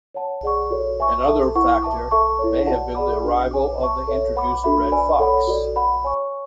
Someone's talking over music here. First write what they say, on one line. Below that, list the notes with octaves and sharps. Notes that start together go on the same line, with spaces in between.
Another factor may have been the arrival of the introduced red fox.
C#5 F#5 A5
G#4 D5 F#5 C#6
F#4 A4 C#5
B4 E5 G#5 C#6
A4 E5 A5
E4 B4 F#5 C#6
B4 E5 A5 D6
A4 E5 A5 C#6
E4 A4 C#5
F#4 B4 D5 F#5 A5
G#4 D5 F#5 B5 D6
D4 F#4 B4
C#5 G#5 D6
B4 E5 A5 C#6
A4 C#5 E5
B4 F#5 B5 D6
D4 F#4 A4 E5 B5
B4 D5 G#5 B5
A4 C#5 F#5 B5
F#4 A4 D5
B4 F#5 B5
C#5 G#5 C#6